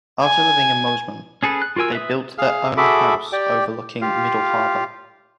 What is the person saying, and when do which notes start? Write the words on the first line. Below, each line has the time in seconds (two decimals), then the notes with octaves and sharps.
After living in Mosman, they built their own house overlooking Middle Harbour.
0.22 G#5
1.43 C#4 G#4 A4 B4
1.62 F#6
1.76 F4 F#4 A#4 G#5 E6
1.93 B4 E5 D#6
2.38 G#4 F5 F6
2.77 F#4 G#4 A4 E5 B5 D6
3.33 G4 D5 G5
4.01 F4 G4 F5